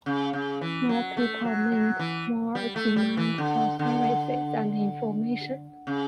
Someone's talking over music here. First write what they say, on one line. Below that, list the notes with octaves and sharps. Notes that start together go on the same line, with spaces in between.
More people meant more demand for services and information.
C#3
C#3
E3
F#3
A3
F#3
F#3
E3
G3
A3
G3
E3
D3
D3
C#3